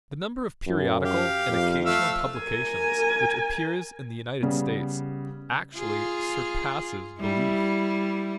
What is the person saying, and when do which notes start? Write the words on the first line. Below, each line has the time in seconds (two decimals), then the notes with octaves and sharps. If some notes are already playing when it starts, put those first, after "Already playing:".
The number of periodical and occasional publications which appears in the United States actually surpasses belief.
0.67 F#2
1.05 G4 F5
1.49 F2
1.85 A3 E5 F5
2.39 A#4 G#5
4.43 C#3 G3 B3
5.76 F4 G#4
7.20 G3 E4